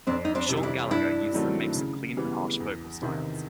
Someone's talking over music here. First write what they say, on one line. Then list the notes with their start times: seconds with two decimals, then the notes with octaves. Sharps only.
Shawn Gallagher uses a mix of clean and harsh vocal styles.
0.07 F2 C4 D4
0.25 D#4
0.35 C4 D4
0.48 C3 E3 G3
0.57 D#4
0.63 D4 E4
0.91 G2 D4 E4
1.33 D#3 F#3 A3 C4
1.75 C#3
2.17 E3 G3 B3
2.60 E2
3.02 C3 D#3